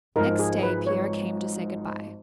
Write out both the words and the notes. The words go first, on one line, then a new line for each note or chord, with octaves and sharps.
Next day Pierre came to say good-by.
G#1 G#2 F3 G#3 D#4 A#4
G#4
B4
C#5